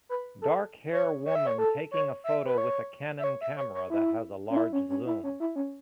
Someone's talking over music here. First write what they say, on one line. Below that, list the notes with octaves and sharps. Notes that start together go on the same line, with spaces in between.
Dark hair woman taking a photo with a canon camera that has a large zoom.
B4
A4
C#5
C#5
E5
C#5
A4
C#5
E5
B4
C#5
E5
C#5
E5
C#5
C#5
E4
C#4
E4
C#4
C#4
E4
C#4
E4
C#4